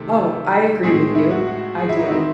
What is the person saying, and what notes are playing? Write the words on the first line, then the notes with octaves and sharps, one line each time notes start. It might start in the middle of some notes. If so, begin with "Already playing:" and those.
Oh, I agree with you, I do.
Already playing: C3 D#3 A3 C4 A4
A2 G#3 C4 G#4
E4
F#4
F#4
G#4
E4
D#4
F#4
D#3 G#3 C4 E4